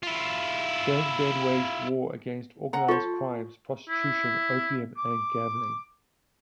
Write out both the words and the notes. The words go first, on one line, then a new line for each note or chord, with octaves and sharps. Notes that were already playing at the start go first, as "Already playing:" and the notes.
Deng then waged war against organized crimes, prostitution, opium and gambling.
E4 F4
F#5 A#5
F4 A4 C5 C#6
E4
D6